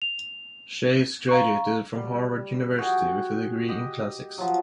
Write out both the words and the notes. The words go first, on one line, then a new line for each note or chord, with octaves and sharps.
Chace graduated from Harvard University with a degree in Classics.
F7
F5 A#5 C#6
G3
F#4 G#4 G5
G4 D#5
F3 F#3